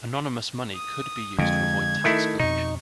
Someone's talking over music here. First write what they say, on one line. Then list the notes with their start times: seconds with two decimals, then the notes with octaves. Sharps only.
Anonymous money could be used to avoid tax collection.
0.75 D#6
1.38 F2 D3 G#3 G#6
2.04 D#3 A3 E4
2.40 F2 B2 D#4 C#6